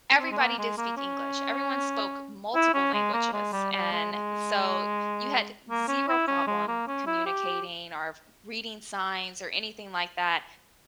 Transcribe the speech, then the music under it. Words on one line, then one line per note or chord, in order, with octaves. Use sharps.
everybody did speak English, everyone spoke multiple languages, and so you had zero problem communicating or reading signs or anything like that.
C4
G#3
A#3
G#3
A#3
C#4
E4
C#4
G#3
A#3
G#3
G3
G3
G#3
G#3
A#3
C#4
E4
C#4
G#3
A#3
C#4
E4
G4